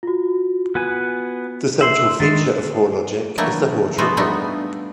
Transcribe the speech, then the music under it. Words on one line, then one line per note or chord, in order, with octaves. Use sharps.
The central feature of Hoare logic is the Hoare triple.
F4 F#4
B3 B4 G#5
E5 C6 F#7
D#3 G#3 A6 B6 C7
D#3 E3 F#3 A3 A#3 D4
F3 G#3 A3 B3 F4 F#4
G3 A3 B3 D4 D#4